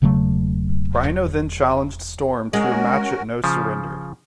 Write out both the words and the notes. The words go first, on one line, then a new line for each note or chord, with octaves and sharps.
Rhino then challenged Storm to a match at No Surrender.
E1 C#3 F#3 A3
G#3 C#4 F#4 A#4
C#3 F3